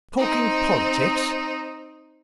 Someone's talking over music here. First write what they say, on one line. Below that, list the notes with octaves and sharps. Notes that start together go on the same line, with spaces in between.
"Talking politics?"
C4 D#4